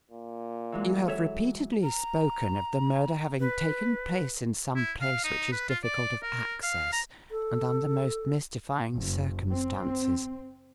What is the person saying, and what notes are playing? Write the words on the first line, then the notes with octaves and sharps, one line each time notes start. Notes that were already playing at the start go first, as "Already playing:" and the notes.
You have repeatedly spoken of the murder having taken place in some place which is difficult of access and under most mystifying circumstances.
A#2
E3 F#3 G#3
A4 C#5 E5
A#5
B4
E4
F5
D#4
B4
F4
D5
A#4
F5
A#5
A4
F#1
C4